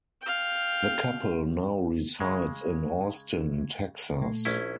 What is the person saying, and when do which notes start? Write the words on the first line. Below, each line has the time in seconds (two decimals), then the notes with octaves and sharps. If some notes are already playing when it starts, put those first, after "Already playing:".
The couple now resides in Austin, Texas.
0.22 F5 G5
2.20 C#3 G#3 G#6
4.21 A#2 A3
4.45 A#1 C#4 E4